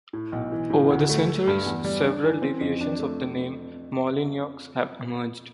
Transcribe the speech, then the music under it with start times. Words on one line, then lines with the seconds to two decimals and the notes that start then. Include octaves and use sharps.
Over the centuries, several deviations of the name Molyneaux have emerged.
0.13 A2
0.32 B1
0.52 E3
0.70 A2
0.90 D2
1.09 A3
1.28 A3
1.47 G2
1.66 E2
1.84 G3
2.04 D4
2.23 E3
2.42 C4
2.61 F2
2.81 D4
2.99 A3